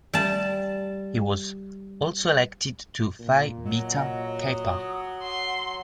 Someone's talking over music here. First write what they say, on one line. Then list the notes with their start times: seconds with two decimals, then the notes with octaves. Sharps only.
He was also elected to Phi Beta Kappa.
0.14 G3 A5
3.19 A#2
3.65 F#3 D#5
4.41 D#6
5.23 F#5 C6